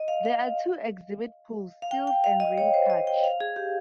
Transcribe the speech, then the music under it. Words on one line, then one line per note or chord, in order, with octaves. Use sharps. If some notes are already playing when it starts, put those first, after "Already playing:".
There are two exhibit pools: seals and ray touch.
Already playing: D#5
F5
F5
F5
G5
G5
F5
D#5
C#5
C5
D#5
G5
F5
G#4
G4